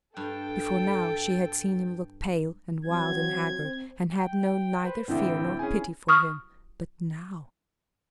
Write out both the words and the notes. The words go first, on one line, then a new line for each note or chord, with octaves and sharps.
Before now she had seen him look pale and wild and haggard, and had known neither fear nor pity for him. But now!
G2 A4 G5
F3 F#3 C4 G#6
C4
G5
B4 C5
A1 D3 C4 D4 E4 G5
C#4 G#4 G#5
C#6 D#6 F6